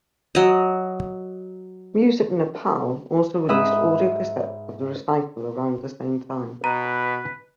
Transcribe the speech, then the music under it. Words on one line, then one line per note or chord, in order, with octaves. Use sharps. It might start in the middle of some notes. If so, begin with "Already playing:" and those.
Music Nepal also released audio cassettes of the recital around the same time.
F#3 D#5
G#2 B4 E5 B5 D#6
B2 B4 A#5